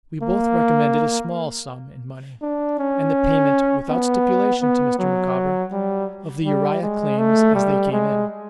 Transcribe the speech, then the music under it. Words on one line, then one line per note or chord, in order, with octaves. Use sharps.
We both recommended a small sum in money, and the payment, without stipulation to Mr. Micawber, of the Uriah claims as they came in.
A#3
D4
C#4
B3
B3
F#3
G3
G3
G#3
A3
G3
G#3